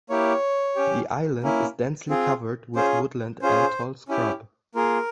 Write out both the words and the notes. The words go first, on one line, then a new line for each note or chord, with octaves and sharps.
The island is densely covered with woodland and tall scrub.
A#3 E4 G4 C#5
C#4 G4
A#3 C#4 E4
C4 F4 G#4
C#4 F4 G#4 C5
C#4 F4 G#4 C5
C#4 E4 G4
A#3 F4 G#4 A#4